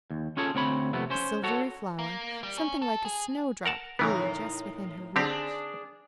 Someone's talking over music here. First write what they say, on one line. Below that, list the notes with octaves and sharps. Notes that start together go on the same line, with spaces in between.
A silvery flower, something like a snow-drop, grew just within her reach.
D#2
C#4 F4 G#4 A4 C#5
D2 C4 C#5 B5
F2 C3 A3 B3
C#4 C5
F#4 A4 C#5
A#3
G3
C#4
A4
G#4
A#4 F#5 A5
A2 C#3 E3 B3 D#4 A#4
D3 C4 D4 G4 G#4